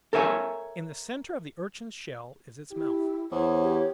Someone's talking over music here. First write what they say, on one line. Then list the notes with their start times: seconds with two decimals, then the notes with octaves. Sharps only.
In the centre of the Urchin's shell is its mouth.
0.13 A4 A#4 C#5 E5 G5 G#5
2.71 E4 G4
3.31 E2 C5 C#5
3.61 G4